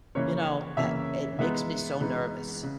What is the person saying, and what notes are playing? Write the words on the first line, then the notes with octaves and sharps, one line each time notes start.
you know, I it makes me so nervous.
C#3 E3 A#3 C#4 C#5
C#3 E3 A#3 C#4 E5
E3 G#3 B3 D#4 E5
E3 G#3 B3 D#4
C#3